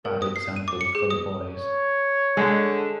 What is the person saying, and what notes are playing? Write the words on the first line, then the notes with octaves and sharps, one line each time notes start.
Bad example for the boys.
A#4
D#6
C7
D#7
D6
C#7
G#4
D#6
C#5
D3 G#3